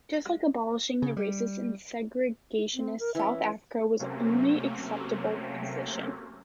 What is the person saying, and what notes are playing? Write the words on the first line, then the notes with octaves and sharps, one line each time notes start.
Just like abolishing the racist and segregationist South Africa was the only acceptable position.
C#3
G3
C4
A#4
E3 C#4 E5
C3 F#3 A3 A#3 C4 C#4